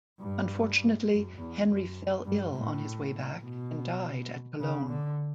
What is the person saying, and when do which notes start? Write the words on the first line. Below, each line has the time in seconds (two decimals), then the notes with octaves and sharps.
Unfortunately, Henry fell ill on his way back and died at Cologne.
0.20 G2
1.08 F#2
1.37 E2
1.66 F#2
2.25 G2
2.55 A2
3.43 B2
4.60 C#3
4.89 D3